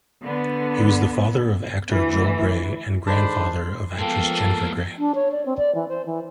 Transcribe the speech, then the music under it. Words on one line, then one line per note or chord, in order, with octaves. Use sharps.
He was the father of actor Joel Grey and grandfather of actress Jennifer Grey.
D3 B3
D2 E3
D3 D#3 G#3 D4 C5 B5
F3 G#3 A#3 B3 A4 F5 G5 A5
D4
C#5
D5
C4
D5
E3
C5
E3